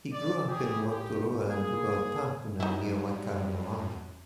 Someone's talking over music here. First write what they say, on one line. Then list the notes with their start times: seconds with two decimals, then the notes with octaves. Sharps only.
He grew up in Rotorua and in Ruatahuna near Waikaremoana.
0.12 D5
0.49 C#4 G4 G#4
0.89 G4
1.49 A#3 G#4
2.60 F#2 G3 D#4 E4